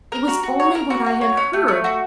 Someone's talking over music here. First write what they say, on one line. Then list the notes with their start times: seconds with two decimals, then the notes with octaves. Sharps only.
It was only what I had heard.
0.12 A#4
0.28 F#4
0.43 F#4
0.60 C#5
0.75 A#4
0.90 F#4
1.06 F#4
1.21 C#5
1.37 C#4
1.53 A3
1.68 A3
1.84 F#4